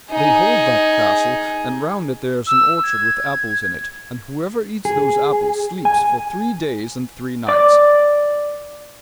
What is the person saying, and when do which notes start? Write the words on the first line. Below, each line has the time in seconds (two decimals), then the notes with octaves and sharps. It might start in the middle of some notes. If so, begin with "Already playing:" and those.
They hold that castle, and round it there is an orchard with apples in it, and whoever eats those apples sleeps for three days and three nights.
0.10 D#4 G#4
2.47 E6
2.84 G#6
4.85 G#4
5.85 G#5
7.48 D5 D6